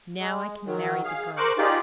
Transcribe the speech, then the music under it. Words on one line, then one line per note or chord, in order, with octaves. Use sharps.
"Now I can marry the girl."
G#3
D#3 F#3
G#4 F5
A#4 C5 C#6 D6 F#6
D#4 F4 G4 G#4 D5